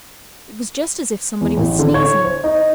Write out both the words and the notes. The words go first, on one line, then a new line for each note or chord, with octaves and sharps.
It was just as if somebody was sneezing.
E2
A1
D3
C#5
C5
D#4